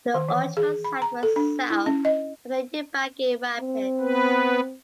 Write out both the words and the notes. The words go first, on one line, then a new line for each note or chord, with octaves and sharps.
The original site was south of the Ubangi rapids.
D#3
E3
G#4
B5
A#5
A4
D4
E4
C#4
D#5
C4
B3 B4